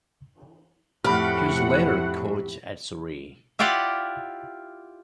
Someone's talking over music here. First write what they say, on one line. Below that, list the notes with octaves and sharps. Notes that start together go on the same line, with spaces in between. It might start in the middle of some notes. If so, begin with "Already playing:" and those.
He was later coach at Surrey.
F2 A2 E4 G4 F#5 B5 F6
E4 F4 G4 D5 F5 F#5